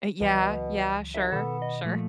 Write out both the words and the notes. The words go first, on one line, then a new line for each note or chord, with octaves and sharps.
Eh, yeah, yeah. Sure, sure.
C#2 B2 E3 F#3
D#2 E5
B2 D#3 B3 A4
D#5
A#2 F3 A3